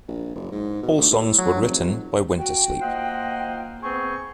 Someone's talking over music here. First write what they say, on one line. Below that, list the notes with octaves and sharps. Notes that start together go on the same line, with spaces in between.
All songs were written by Wintersleep.
A#1
F#1
G#2
B2
D2
A2
F#3
F1
F#4 G5
A#3 F4 C5 D#5 F#5
B3 C4 G#4 C#6